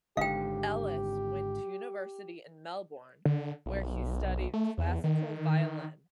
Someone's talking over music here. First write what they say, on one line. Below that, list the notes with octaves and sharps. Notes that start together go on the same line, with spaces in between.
Ellis went to university in Melbourne, where he studied classical violin.
G#1 G#2 D3 G4 F5 G5
D3
B1
A3
E2
D#3